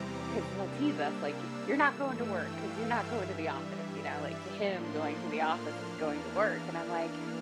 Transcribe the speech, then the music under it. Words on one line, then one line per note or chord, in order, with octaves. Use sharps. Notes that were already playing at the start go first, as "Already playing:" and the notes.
'cause he'll tease us, like, "Y you're not going to work 'cause you're not going to the office," you know, like, to him, going to the office is going to work and I'm like,
Already playing: E2 C3 E3 G3 C4 A#5 D6
C3 G3 A#3 D4 E6
G2 E3 A3 E6
G5
F5
E5
G2 E3 G3
E5
D5
A2 F3 A#3 D4 C6
F6
E2 E3 A#3 D4